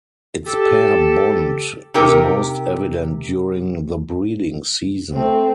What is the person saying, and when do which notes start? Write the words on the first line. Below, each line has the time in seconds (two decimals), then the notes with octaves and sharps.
Its pair bond is most evident during the breeding season.
0.46 G4 A4
1.94 C3 D#4 G4 A#4 G5
5.14 A3 C4